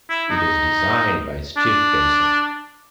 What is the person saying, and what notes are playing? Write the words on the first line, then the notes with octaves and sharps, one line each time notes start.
It was designed by Steve Kenson.
E4
D#4
D4